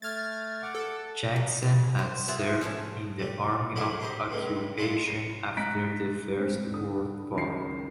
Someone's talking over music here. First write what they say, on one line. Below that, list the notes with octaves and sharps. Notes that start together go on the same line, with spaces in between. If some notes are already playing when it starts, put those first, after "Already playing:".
Jackson had served in the Army of Occupation after the First World War.
A3 F6 G#6 A6
F#5 D6
A4
D#4
C#3
C5
F4 G#4 E5 F#5
D3 F3 A3 C#4
G3 A3
D3 F#3 E4 F#4 G#4 A#4
D4 D#4 G4 C5 D#5
C#2 A2 G3 G#3
F#3 G#3 D4 E4 F4 A4
C7 C#7
G#2 D#5 A#5 F#6 B6 D7
G#3 C4
D3 D#6
C#2 F#2 D#3 C7